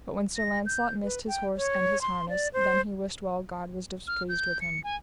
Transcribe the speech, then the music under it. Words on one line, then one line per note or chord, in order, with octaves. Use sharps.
But when Sir Launcelot missed his horse and his harness then he wist well God was displeased with him.
A#6
G6
B4
G5
C#5
C6
D5
C5
F6
G6
C#7
G#5